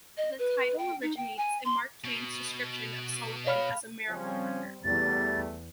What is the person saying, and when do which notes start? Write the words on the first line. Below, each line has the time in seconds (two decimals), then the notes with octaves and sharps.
The title originates in Mark Twain's description of Sullivan as a "miracle worker".
0.17 D#5
0.38 B4
0.78 G5
1.01 D#4
1.16 G5
1.37 G#5
1.64 C6
2.05 B2
3.47 C#5 F5 B5 F6
4.09 C#3 F3 G3 C4 C#4
4.85 E2 G3 A3 A6